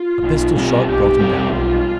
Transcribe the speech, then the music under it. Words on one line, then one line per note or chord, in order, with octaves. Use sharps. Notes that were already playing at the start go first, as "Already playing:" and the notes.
A pistol-shot brought him down.
Already playing: F4
B1
B2 G3 C4
B1 G4
B2 G3 C4
B1 F4